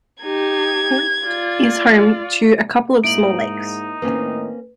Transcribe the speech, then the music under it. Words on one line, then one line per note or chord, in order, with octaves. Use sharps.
Feucht is home to a couple of small lakes.
D#4 G4 G#6
F4 D5
G#2 A#3 D#4 E4 D7 F#7
A2 D#3 A#3 C4 C#4 B4